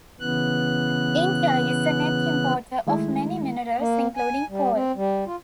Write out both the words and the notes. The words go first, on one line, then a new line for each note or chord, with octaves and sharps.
India is a net importer of many minerals including coal.
C#3 E3 B3 F#6
D#3 G#3 A3 E4
A#3
G#5
G3
C4
G3
F4